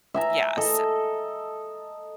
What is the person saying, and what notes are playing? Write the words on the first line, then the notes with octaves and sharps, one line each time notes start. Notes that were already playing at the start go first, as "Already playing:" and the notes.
yeah, so
E5 G#5 A#5
A4 D#5